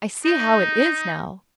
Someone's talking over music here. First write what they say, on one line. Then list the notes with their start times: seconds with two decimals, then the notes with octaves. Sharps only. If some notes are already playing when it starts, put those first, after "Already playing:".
I see how it is now.
0.25 D#4